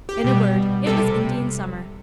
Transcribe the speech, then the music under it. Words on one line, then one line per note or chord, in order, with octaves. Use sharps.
In a word, it was Indian summer.
G4
B2 G3
C3 G3 A4